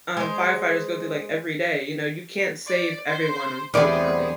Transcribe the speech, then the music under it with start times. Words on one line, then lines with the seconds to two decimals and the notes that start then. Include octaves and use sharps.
um, firefighters go through like every day, you know, you can't save everyone unfortunately.
0.17 G#3 C5
2.67 D5
3.07 C5
3.74 E2 G3 B3 C4 G#4 D5